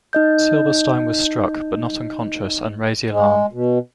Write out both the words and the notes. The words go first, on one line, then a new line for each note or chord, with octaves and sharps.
Sylberstein was struck but not unconscious, and raised the alarm.
D#4 D#5 G6
G#3
B2